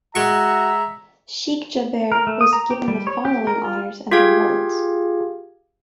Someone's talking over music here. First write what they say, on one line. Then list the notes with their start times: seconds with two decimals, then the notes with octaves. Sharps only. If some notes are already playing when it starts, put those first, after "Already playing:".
Sheikh Jaber was given the following honors and awards.
0.15 G#3 F#4 E5 A#5 C#6
2.12 A#4
2.27 A3
2.41 D#6
2.53 A#5
2.70 G4
2.88 G3
3.07 C#5
3.25 G4
3.47 A#4
3.64 F4
4.11 F4 G4 G#4 F5 G#6